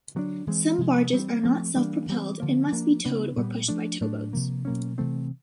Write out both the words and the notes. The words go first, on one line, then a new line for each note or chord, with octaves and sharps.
Some barges are not self-propelled and must be towed or pushed by towboats.
D3 F#3 B3 D4
E3 G#3 C4
C3 F3 G#3
E3 G3 C4
F3 A3 C4
E3 G3 A#3 D4
E3 G3 C4
D3 F3 A#3
F3 A#3 D4
C#3 F#3 B3 D4
A#2 G3 B3
F3 A3 D4
A2 F#3 A3 D4
C3 F3 A#3
B2 F#3 A#3 C#4
C3 E3 A3 C4